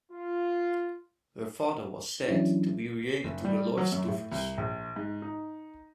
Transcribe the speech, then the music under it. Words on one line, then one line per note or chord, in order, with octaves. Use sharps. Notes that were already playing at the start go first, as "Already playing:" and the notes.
Her father was said to be related to the Lords Duffus.
F4
E3 F#3 C#4 D4 E4
F#1
G3
F#3
F#2
A2
C2
A#1
G#2
D#4